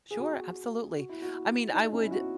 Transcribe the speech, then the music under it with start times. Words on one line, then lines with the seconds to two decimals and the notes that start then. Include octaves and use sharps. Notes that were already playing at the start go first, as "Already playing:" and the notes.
Sure, absolutely. I mean, I would
0.11 G#4
0.20 F#4
0.96 F#4
1.09 E4
1.22 F#4
1.73 D#4
1.92 C#4
2.03 E4
2.11 F#4